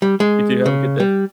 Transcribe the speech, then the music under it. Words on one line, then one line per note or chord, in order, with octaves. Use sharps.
You too, have a good day.
G3
G#3
C#3
G3